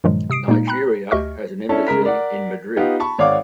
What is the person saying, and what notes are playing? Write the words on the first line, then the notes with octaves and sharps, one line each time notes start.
Nigeria has an embassy in Madrid.
G2 A#2 D#3 F3 F#3 G#3
C3 D#6 C7 D7
A#2 G#3 A#3 D#4
G5 A#5 B5 F#6
D2 G4 D#5 E5 C#6 F6
C#4 D4 E4 A4 A5
C#3 G#3 A#4 B6
A#4 D5 F#5
B3 D#4 F4 G4 F#5
A5 B5 C#6
G#1 C#5 D5 F5 F#5 D6